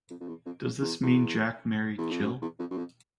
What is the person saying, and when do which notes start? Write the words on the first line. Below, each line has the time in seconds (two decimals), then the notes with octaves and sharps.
Does this mean Jack married Jill?
0.10 F2
0.21 F2
0.28 E2
0.46 F2
0.63 F2
0.81 E2
1.03 E2
1.98 E2
2.11 F2
2.24 F#2
2.42 E2
2.59 F2
2.71 F#2
2.77 F2